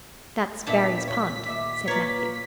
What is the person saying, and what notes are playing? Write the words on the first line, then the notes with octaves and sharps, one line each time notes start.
"That's Barry's pond," said Matthew.
A#2 B3 D4 E5 A5 B6
C#5
D#2 E5 D6
A#3 F4 B4 C#5 D5 A#5